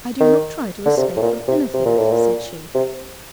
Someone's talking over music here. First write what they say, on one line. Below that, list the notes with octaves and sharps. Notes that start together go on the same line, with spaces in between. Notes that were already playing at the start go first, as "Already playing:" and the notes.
'I do not try to escape from anything,' said she.
D#3
D3
C3
A2
A#2
C3
C3
A#2
A2
A#2
C3